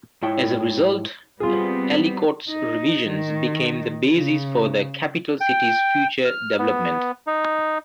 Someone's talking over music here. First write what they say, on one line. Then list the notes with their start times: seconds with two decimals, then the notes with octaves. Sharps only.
As a result, Ellicott's revisions became the basis for the capital city's future development.
0.22 G#2 E4 C#5 G5
1.40 G3 B3 C4 F4 G#4
2.49 D#4
3.08 D#3
4.13 C#3
5.41 G5
6.25 F6
6.59 B3
7.27 D#4